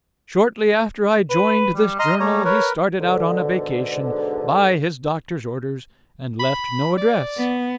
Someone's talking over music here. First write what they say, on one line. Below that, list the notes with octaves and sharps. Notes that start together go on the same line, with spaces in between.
Shortly after I joined this journal, he started out on a vacation, by his doctor's orders, and left no address.
B4
G3
D#5 A#5 C6 F6
G3 A3 C#5 A#5
A#4 B4 C#5
G#2 B2 D3
B5
D5
B3